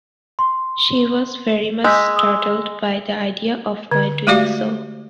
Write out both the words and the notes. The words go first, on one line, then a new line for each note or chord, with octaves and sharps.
She was very much startled by the idea of my doing so.
C6
G#3 E6 G6 B6
D#6 E6
D3
G#3 A3 F#4 G4 D5 F5